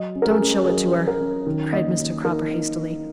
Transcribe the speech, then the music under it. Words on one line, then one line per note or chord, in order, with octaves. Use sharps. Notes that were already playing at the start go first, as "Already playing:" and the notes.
"Don't show it to her," cried Mr. Cropper hastily.
Already playing: F#3 D#5
C#4
A#4
G#4
C#4
G#4
F#3 A#4
F#3
A#4
C#4
D#3
A#3 D#5
D#3
D#4 A#4